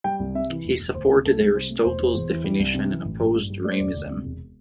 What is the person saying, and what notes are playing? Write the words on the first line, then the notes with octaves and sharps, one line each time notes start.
He supported Aristotle's definitions, and opposed Ramism.
G3 G5
C2
C3 E5
E3
E1
E1
D2 C5
C3
C2 A4
C2
C3 C5
A3
E1 C5
E1
E2
E3
G3
C2
C3
E3
A1
A1
G2
G3
A3 D5
C5
E1 D5
D2
C3
E1